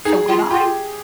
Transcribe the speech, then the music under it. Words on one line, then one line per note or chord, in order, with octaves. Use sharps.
So, what I
D#4 G#4
F4
F4 G4